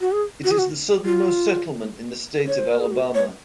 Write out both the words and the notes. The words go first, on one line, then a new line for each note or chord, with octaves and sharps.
It is the southernmost settlement in the state of Alabama.
F#4
G#4
F#4
G#4
F#4
F4
C#5
C5
A#4
G#4
F#4
C#5